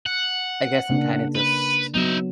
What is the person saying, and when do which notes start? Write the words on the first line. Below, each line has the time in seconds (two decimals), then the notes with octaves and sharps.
I guess I'm kinda just
0.06 F#5
0.90 C#3 A#3 D4
1.35 B4
1.95 F#3 B3 D#4 E5